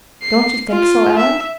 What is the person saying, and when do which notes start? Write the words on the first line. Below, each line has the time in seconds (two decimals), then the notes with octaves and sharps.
"Don't you think so, Ellen?"
0.23 C7
0.69 F4
1.18 E5